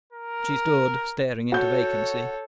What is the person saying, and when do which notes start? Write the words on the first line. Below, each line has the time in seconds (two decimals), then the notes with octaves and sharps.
She stood staring into vacancy.
0.13 A#4
1.52 F#4 A4 C#5 G6